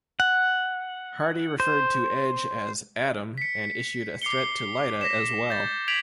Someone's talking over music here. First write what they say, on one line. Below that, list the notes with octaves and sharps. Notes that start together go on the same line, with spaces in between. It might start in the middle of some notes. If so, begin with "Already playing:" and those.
Hardy referred to Edge as "Adam" and issued a threat to Lita as well.
F#5
C5
B6 C#7
D6 C7 C#7 G7
A#6 B6 E7
G6 A6
G#6 B6 D7 F7 F#7